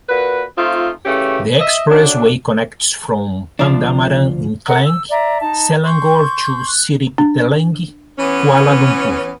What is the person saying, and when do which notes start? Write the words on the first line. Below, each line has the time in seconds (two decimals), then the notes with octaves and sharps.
The expressway connects from Pandamaran in Klang, Selangor to Sri Petaling, Kuala Lumpur.
0.09 A#2 F#4 B4
0.57 A3 C4 D#4 F4
1.06 C#3 E3 A3 C#4 G4
1.60 D#5 E5
1.89 A2 F#3 D4
3.59 D2 F3 D4
4.67 A4 A#4 F#5 A#5
4.85 E6
5.10 D5 E5 A#5
5.40 D#4 A5
5.84 C6 C#6 G6
6.69 F#6
7.18 D4
8.19 E3 B3 C#4